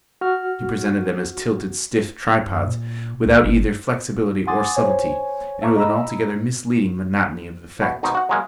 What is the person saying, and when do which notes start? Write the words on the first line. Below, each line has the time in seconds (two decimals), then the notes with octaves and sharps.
He presented them as tilted, stiff tripods, without either flexibility or subtlety, and with an altogether misleading monotony of effect.
0.21 F#4 F6
2.46 F#2
2.66 A#2
3.25 C#2
3.44 G1
4.47 F#5 G#5 C6 D6 D#6 A6
4.75 C5 C#5 G#5
5.61 E5 F5 A5 A#5 C#6 D6
5.76 D#5 A#5 B5 E6
7.81 B2
8.03 G#1 B2 D#4 C5
8.15 F#4 F#5
8.29 F#3 G#3 A#3